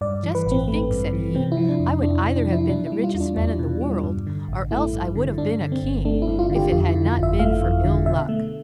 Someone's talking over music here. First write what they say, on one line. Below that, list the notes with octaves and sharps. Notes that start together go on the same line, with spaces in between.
"Just to think!" said he, "I would either have been the richest man in the world, or else I would have been a king, if it had not been for Ill-Luck."
G2 D5
E3
B4
A1
C4
A3
G2
E3
C3 C4
E4
F3
D4
F2
F2 D4
D4
C3
D4
F3
E4
B2 D4
E4
G3
F4
E2
D4
E2 D4
B2
G3
G2
D3
A1
A3 E4
G2
D3
G2 D4
D3
C4
G1
A3 D4
E4
G2
F4
D3
G4
F2 F4
E4
D3
F4
G1
E5
A3 F5
F2
D3
B2 E5
A3